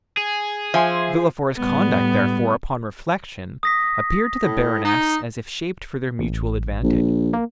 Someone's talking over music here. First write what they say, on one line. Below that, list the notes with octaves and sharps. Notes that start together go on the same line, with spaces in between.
Villefort's conduct, therefore, upon reflection, appeared to the baroness as if shaped for their mutual advantage.
G#4
F3 E5 G#5 C6
A2 G3 B3
D#6 A#6 B6
A2
D#4
A1
A#1
A#3